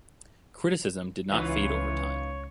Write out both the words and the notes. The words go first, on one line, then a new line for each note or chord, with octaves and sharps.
Criticism did not fade over time.
C#2 E3 D#4 F4 B4 C#5